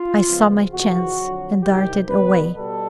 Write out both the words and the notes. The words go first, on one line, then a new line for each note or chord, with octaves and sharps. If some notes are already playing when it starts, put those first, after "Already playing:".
I saw my chance, and darted away.
Already playing: F4
C#2 C#3 F3 G#3 B3
F2 C#3 E3 F#4
F2 D3 F#3
C2 C3 D#3 G4
C#2 B2 G3 B3 B4
B2 G3 A4